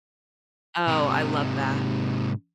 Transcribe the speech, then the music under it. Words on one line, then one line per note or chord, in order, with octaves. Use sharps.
Oh, I love that.
G#2 C3